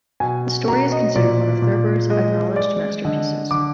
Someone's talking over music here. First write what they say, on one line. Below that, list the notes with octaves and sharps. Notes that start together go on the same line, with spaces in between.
The story is considered one of Thurber's "acknowledged masterpieces".
B2 G#5
B2 A#5
D#5
A#2 D5
A#2
G#3 D#5
G#3 D5
D3 D#5
D3 D6